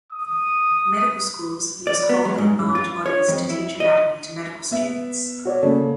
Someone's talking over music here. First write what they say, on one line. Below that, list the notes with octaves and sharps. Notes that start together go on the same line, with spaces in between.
Medical schools use whole embalmed bodies to teach anatomy to medical students.
D#6
D5
B3
F#3
G#2
F#2
F4
C#5
F2
E4
D#5
B3 E5
F#4 C#5 D5
C#3 A#3 A4